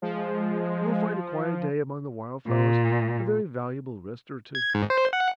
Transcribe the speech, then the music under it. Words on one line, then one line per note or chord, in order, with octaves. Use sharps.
You will find a quiet day among the wild flowers a very valuable restorative.
F3 G#3
A#2
G#6
G#2
C5
F#5